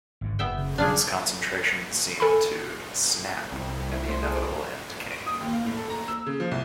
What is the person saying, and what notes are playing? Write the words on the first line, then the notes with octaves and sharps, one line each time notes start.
His concentration seem to snap and the inevitable end came.
G#1 G#2 D3
F#1 B3 E5 G5
C#3
E1 F#3 G3 D4 F4 G#4
A4 G#5 B5
C2 F2 E4
E4 E5
A3 C5 C6
G#4 A5
D7
D#6
D#2
F5
A2
A4
A#5
E6
C#3
F3
C2